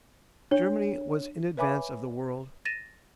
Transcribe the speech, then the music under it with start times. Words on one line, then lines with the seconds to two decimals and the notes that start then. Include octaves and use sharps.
Germany was in advance of the world.
0.51 D4 C#5
1.57 B4 C#5 E5 G#5 B5 D6
2.65 A6 A#6 D#7 E7